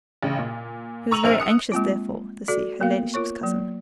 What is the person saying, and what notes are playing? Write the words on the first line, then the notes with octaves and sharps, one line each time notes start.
He was very anxious, therefore, to see "her leddyship's" cousin.
A1 C#3
A#2
A#5 C#6 E6 D#7 F7 F#7
A#1 C4 A#4 F7
D#6 F#6 C#7
G#3 A#3 C4 F4
F#4 A4 D5
A#3 B3 A#4 F5
F4 A#4 C#5 C#6
F#3 A#3